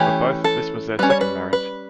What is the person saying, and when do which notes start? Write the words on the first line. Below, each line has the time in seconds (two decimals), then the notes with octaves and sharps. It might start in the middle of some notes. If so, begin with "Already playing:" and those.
For both, this was their second marriage.
Already playing: E3 A3 C#4 G4
0.44 A4
0.99 G3 C#4 B4
1.10 C#5
1.21 B4
1.53 B4